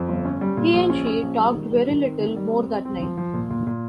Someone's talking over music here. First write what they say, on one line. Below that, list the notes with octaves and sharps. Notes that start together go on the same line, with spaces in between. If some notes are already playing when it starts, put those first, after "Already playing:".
He and she talked very little more that night.
Already playing: F2
G1
C#4
G3
A#2
A#1
C#4
C#4
A#1
G3
D#3
G3
D#3
C4
D#3
G3
C4
C4
C4
F3
F3
A#2
A#2
A#2